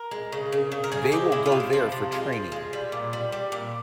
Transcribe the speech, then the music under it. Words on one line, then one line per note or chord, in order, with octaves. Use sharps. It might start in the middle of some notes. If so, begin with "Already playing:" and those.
They will go there for training.
Already playing: A#4
G#3
C#3
C#3
C#3
A#4
C#3 G#4
G#3 G4
C#3 E4
F4
C3
E4
F3
C3
G#3 F4
F3
G#3
G3
A#2
G3
G3
A#2